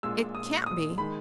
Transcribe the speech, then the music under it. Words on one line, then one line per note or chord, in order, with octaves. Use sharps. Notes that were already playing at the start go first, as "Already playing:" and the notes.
"It can't be."
A#1 A#2 G#3 E6
D#6
D#6
D#3 G#3 B5